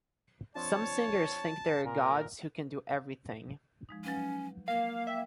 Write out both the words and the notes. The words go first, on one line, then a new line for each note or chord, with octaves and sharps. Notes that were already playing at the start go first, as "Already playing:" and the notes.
Some singers think they are gods who can do everything.
F3 C4 D4 C#5 A5
A#2 A#4
F3 G#3 D#4
F#3 C#4 B4 F5
A#3 A#4 F5
E5 F5 G5 E6